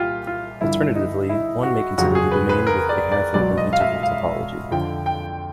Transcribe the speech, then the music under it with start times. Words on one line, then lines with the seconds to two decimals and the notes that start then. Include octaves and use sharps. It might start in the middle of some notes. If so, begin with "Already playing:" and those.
Alternatively, one may consider the domain with a half-open interval topology.
Already playing: C2 A#2 F4 G4
0.27 F4
0.61 G2 D3 F3 E4
0.95 D#4
1.29 E4
1.63 F#4
1.98 F2 C#3 F#3 F#4
2.15 G#4
2.32 B4
2.49 B4
2.67 A#4
2.89 D5
3.12 D5
3.34 C#2 B2 F#3 D5
3.58 D#5
3.73 F5
3.80 E5
4.03 F5
4.71 F2 D3 F3 G5
5.06 G5